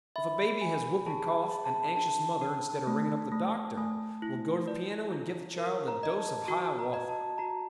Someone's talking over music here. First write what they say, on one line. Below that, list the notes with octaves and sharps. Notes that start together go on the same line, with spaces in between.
If a baby has whooping-cough, an anxious mother, instead of ringing up the Doctor, will go to the piano and give the child a dose of Hiawatha.
E5 B5
G#5
G#4 A5
E5
A5
D4 A5
D4
A3
A3
A3 G#5
E4
D5
F4
A#4
A#5
D#5
A5
F#4
A#5
D#5
A5
F#4 A#5